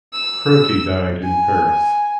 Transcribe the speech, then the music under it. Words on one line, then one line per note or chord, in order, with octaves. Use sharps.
Crotti died in Paris.
E6
G#5